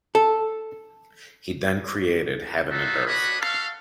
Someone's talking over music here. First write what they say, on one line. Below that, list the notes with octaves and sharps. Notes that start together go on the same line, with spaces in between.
He then created Heaven and Earth.
A4
D#4 F4 F#4 A4 E5
D4 F#4 C#5 D#5 B5
F#4 A4 F5